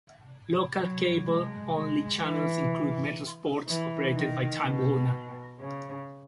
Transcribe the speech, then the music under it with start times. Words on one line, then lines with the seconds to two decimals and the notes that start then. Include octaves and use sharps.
Local cable-only channels include Metro Sports, operated by Time Warner.
0.78 F#3
1.26 G#3
1.75 G#3
2.23 E3
3.68 E3
4.16 D#3
4.64 B2
5.60 C#3